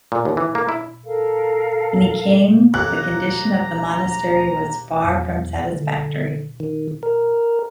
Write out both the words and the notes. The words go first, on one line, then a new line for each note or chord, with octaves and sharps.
When he came the condition of the monastery was far from satisfactory.
A#2
D#2
E3
A#3
E4
A4 A#4 F5
D#2 A#5 F#6
E2
D3
D#3
A#4